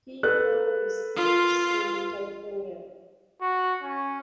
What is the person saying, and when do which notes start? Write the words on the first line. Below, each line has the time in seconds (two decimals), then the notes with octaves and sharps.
He now resides in California.
0.23 A4 B4 F#6
1.16 F4
3.41 F#4
3.83 C#4